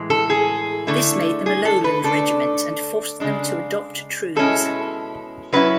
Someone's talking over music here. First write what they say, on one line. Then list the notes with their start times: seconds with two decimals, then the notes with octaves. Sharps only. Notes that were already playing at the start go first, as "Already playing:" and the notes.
This made them a Lowland Regiment and forced them to adopt trews.
Already playing: A2 E3 G#3
0.10 A4
0.30 G#4
0.87 D3 A3 E4
1.46 G#4
1.65 A4
1.84 B4
2.04 D3 A3 D4 A4
3.20 C#3 G#3 D4
4.36 B2 G#3 C#4 E4 A4
5.52 F#3 C#4 E4 B4